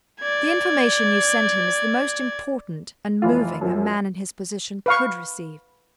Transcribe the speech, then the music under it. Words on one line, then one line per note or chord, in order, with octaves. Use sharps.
"The information you sent him is the most important, and moving, a man in his position could receive."
D5 G#6
F1 E3 F4
F#2 F3
B4 F5 C#6